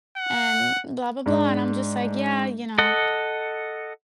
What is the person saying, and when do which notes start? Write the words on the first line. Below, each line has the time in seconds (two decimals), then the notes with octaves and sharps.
and blah, blah, blah." And I'm just, like, "Yeah, you know,
0.17 F#5
1.26 G#2 D4
2.78 A4 D#5 F#5